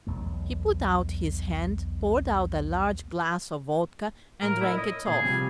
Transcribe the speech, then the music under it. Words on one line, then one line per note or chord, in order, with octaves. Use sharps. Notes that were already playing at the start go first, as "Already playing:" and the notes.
He put out his hand, poured out a large glass of vodka and drank it off.
B1 E2 A3
A2 A#4
E4 A#4 D#5
C#5 D#5
A#2 C#3 G#4
C3 F3 G3